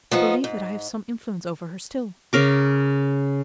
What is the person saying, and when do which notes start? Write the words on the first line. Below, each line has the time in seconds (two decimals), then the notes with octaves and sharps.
I believe that I have some influence over her still.
0.11 F3 B3 D#4
0.44 G#2
2.33 C#3 A#4 D6